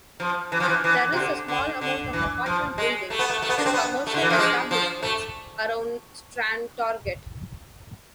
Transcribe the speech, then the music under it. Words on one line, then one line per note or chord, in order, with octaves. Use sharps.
There is a small amount of apartment buildings and commercial establishments around Strandtorget.
F3
E3
F3
E3
E3
C3
D3
D3
D3
E3
F3
G#3
A3
B3
A3
A3
B3
D4
C4
B3
A3
D3
E3
F3
G#3
F3
A3